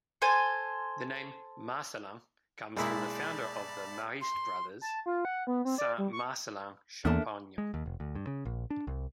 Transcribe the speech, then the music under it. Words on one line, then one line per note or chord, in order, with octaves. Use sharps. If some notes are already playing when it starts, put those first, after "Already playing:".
The name Marcellin comes from the founder of the Marist Brothers, Saint Marcellin Champagnat.
A4 C5 G#5
B1 G#3 A#3 E4 D5 A5 B5
C6
A5
F4
F#5
B3
C4
D5
G3
C#6
E2 A#3 D4 A4 A#4 E5 A5
G#3
D#2
F1
D2
G2
C#3
A#1
D4
C2